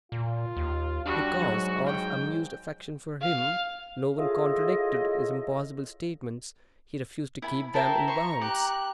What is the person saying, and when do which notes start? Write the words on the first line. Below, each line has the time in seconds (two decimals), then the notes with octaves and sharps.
Because, out of amused affection for him, no one contradicted his impossible statements, he refused to keep them in bounds.
0.12 A#2 F4
0.57 D#2
1.06 G3 D4 F#4
1.39 G#2 F#3
1.87 G5
3.21 F5
4.17 E4 F4 G#4 A4 C#5 D#5
7.42 E4 G#5 B5
7.74 E4 A#4 C5 G5 A5 A#5
8.08 C5 C#6
8.41 G4 F#6